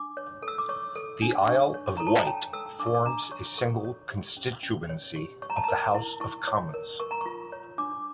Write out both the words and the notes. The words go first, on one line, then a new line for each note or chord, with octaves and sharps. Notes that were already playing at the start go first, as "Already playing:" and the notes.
The Isle of Wight forms a single constituency of the House of Commons.
Already playing: D4 D6
C#5
A4
E6
D6
C#5 C#6
A4
D4
D4 C#6
C#5
C#6
A4 A#5
A5
A#5
C#5 G5
A4 E6
D4 D6
C#6
D6
D4 A#5
C#5 C#6
A4 C#6
C#5
G4
C#4
C#4
C#5
G4
C#5 C#6
A#5
A5
A#4 A#5
E4
E4 C#6
C#5
A#4
A#4 C#6
A#5
F4 C#6
C#5
D4 D6